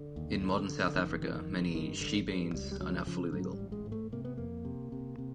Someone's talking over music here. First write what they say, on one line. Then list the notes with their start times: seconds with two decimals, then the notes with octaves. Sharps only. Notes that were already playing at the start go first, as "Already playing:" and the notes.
In modern South Africa, many "shebeens" are now fully legal.
Already playing: D3
0.16 D#2
0.42 D3
0.69 D3
0.87 D3
0.95 F1 D#3
1.22 F2 E3
1.34 D#3
1.48 F1
1.75 G2 D#3
2.00 G#1 D3
2.28 G2
2.54 C#2 G3
2.71 G3
2.80 C#3 F#3
3.07 C#3 F3
3.33 G#2 F#3
3.53 G3
3.59 A1
3.72 G#3
3.86 G#2
3.92 A3
4.12 C3 A#3
4.25 B3
4.38 F2 A#3
4.65 C3
4.92 C3
5.18 C3